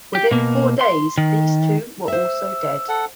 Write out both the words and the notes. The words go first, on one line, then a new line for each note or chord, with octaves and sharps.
Within four days these two were also dead.
G4
B2 A#3
C6
D#3
C5 E5 E6
A4 F#5